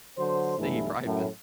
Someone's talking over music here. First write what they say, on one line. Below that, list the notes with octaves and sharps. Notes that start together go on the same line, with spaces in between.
stay private.
D3 F#3 C5
B1 G2 E3 A3 E4
F#2 A2